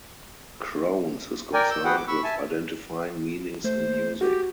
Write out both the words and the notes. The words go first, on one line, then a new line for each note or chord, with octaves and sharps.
Krones is concerned with identifying meanings in music.
A#4 D5 G5 G#5
E6 G6
F#4 G#4 B4 F#5 G5
D6
B5 C#6 E6
E5 G#5 A5
A3 C5
F#4 G4